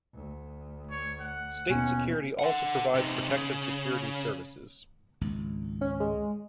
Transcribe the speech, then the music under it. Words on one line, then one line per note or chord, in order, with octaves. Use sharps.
State Security also provides protective security services.
D2
C#5
F#5
D#2 B2 C#4
A4 F#5
C3 D#4
C#3
G#1 C#2
C#4
G#3